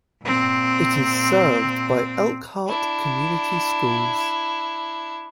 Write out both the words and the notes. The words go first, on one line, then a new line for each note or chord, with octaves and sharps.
It is served by Elkhart Community Schools.
A#2 C4
D4 E4